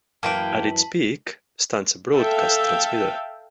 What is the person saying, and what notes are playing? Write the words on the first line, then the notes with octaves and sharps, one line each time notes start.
At its peak stands a broadcast transmitter.
F#2 E3 A#3 G5 A5 D6 B6 F#7
A4 E5 F5 G5